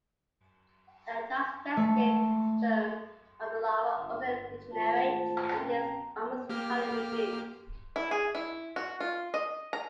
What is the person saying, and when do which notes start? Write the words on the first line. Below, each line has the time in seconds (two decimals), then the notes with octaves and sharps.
The digestive system of the larva also degenerates, and is almost entirely rebuilt.
1.77 A3
3.97 G1
4.72 G#1 A3 F4 A4 C5 A5
5.56 B2 C4 C#4 G5 A5 A#5
6.49 A#3 G4 F6
7.96 E4
8.11 G#4
8.35 E4
8.76 F#4
9.00 F4
9.34 D#5
9.73 A#5